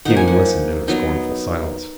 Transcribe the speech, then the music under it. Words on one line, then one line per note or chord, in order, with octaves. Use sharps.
Stephen listened in scornful silence.
F3 A#3 D#4 F#5
G#5
F#5
F#3 B3 D#4